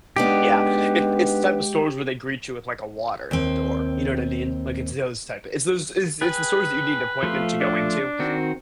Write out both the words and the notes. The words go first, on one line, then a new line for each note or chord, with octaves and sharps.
Yeah, it's it's the type of stores where they greet you with, like, a water at the door, you know what I mean? Like, it's those type of it's those, it's it's the stores that you need an appointment to go into,
G#3 B3 D4 D#4 G4
D#2 C4
G#4 B4 G5 F#6
F3 A3 F4
D4
D#3 C4 F#4